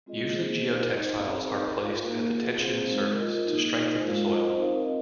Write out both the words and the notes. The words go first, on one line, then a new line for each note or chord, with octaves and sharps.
Usually geotextiles are placed at the tension surface to strengthen the soil.
G#3 C4 F4 G#4 D#5
A#3 G#4 C5
D#4 C5 D#5
D#4 C5 D#5
C4 G#4 C5 F5
D#4 A#4 D#5
F4 A#4 F5
A#3 D#4 A#4 F5
F4 G#4 F5
C4 G#4 C5 F5
G#3 D#4 A#4
F4 A#4 D#5
A#3 D#4 G#4
D#4 C5 D#5
G#3 F4 A#4 F5
F4 C5 D#5
C4 D#4 A#4 F5
A#4 D#5